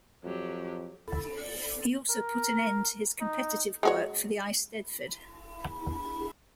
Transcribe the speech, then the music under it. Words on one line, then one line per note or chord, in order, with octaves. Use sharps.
He also put an end to his competitive work for the Eisteddfod.
F2 F#3 G4
A#4
D#4
G#3 F#4 C#5